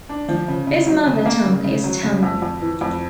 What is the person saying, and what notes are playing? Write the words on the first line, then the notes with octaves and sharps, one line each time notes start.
His mother tongue is Tamil.
D4
F3
C#3
C#3
F#3
C#3
A#3
C#3
C#3
F#3
C#3
F2
F2
E3
F2